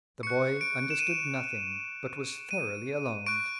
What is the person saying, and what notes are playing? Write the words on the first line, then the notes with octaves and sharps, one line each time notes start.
The boy understood nothing, but was thoroughly alarmed.
C#6 F#6 C#7
D7
E7
D#7
D#7
C#6 F#6 D7